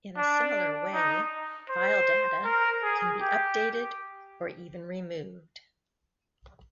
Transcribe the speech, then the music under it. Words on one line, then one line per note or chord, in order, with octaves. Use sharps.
In a similar way, file data can be updated or even removed.
D4
D#4
C5
A#4
G#4
G4